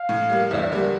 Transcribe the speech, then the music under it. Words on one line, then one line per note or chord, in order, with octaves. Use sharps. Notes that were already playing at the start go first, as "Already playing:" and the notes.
Sorry, go ah
Already playing: F5
A2
G3 A#3
F5
E2 E5
D3 G3 A#3